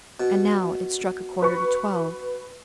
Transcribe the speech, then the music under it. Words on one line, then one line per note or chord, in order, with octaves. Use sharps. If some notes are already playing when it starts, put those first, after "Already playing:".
And now, it struck a quarter to twelve.
B2
B4 C#6